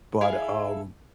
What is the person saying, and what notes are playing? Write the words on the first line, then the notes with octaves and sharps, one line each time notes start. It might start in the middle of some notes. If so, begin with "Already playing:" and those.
but, um,
E4 G#4 A4 F5